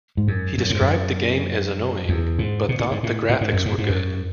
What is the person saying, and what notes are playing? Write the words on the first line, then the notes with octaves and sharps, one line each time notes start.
He described the game as annoying, but thought the graphics were good.
G#2
F#2
F#2
G#2
F#2
E2
G#2
B2
A2
G#2
A2
A2
G#2
F#2
G#2
G#2
F#2